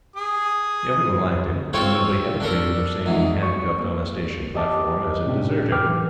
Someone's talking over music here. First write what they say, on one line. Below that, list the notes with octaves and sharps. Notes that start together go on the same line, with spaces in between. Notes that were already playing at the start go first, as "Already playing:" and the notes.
Everyone liked him; and nobody ever dreamed of seeing him handcuffed on a station platform as a deserter.
G#4 D#6
C4 F4 A4 C5 C#5 G5
D4 A4 A#4
E2 G#2
C#6
A#3
G4 D#5 A5 D6
A2 C3 C#4 D4 G4
F#3 B4 G5 D6 F6
E3